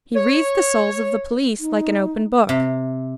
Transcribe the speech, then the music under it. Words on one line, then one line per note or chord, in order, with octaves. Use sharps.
He reads the souls of the police like an open book.
C#5
D#4
C3